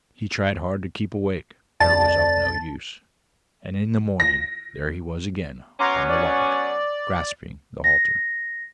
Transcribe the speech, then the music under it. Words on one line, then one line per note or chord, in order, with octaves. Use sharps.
He tried hard to keep awake, but it was of no use, and in the morning there he was again on the log, grasping the halter.
F2 D5 A5 A6
A#6
F#3 B3 C#4 A#5 C6 D6
D5
A#6